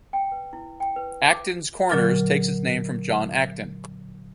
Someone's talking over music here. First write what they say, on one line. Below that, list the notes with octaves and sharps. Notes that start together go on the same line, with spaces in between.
Actons Corners takes its name from John Acton.
G5
B4
E4
G5
B4
D6
A#2 D3 F#3 A#4 D6 F6